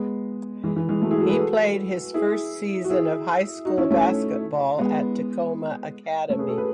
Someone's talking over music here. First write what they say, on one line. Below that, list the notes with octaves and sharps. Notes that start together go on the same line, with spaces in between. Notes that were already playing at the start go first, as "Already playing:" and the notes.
He played his first season of high school basketball at Takoma Academy.
Already playing: G#3 B3
E3 G#3
E3
E3 G#3
F#3 A3
E4 G#4
F#4 A4
G#4 B4
F#4 A4
E4 G#4
F#4
E4 G#4
D#4 F#4
C#4 E4
A3 C#4
G#3 B3
A3 C#4
G#4 B4
F#4 A4
G#4 B4